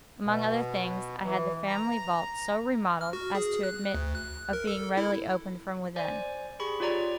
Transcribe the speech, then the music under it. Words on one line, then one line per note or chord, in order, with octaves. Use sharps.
Among other things, I had the family vault so remodelled as to admit of being readily opened from within.
B2
E3
A#5
F6
F#4
G#4
F#6
D2
F#6
A#4
A4
E4
C5 D5 G#5
G4 G#4 B5 C#6
F4 G4 C#5 D5 A#5 D7